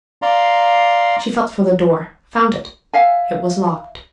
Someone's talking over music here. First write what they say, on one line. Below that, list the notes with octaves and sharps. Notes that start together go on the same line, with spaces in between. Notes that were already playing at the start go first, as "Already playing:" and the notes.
She felt for the door, found it--it was locked.
D5 F5 A#5 C6
E5 F5 G#5